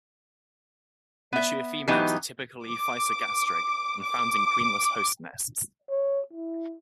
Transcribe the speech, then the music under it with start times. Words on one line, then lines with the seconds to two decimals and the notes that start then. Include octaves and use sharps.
Mature females are typically physogastric and found in queenless host nests.
1.33 B3 E5
1.88 E3 F#3 B3 D#4 G4
2.65 D6
4.03 D6
5.90 C#5
6.33 E4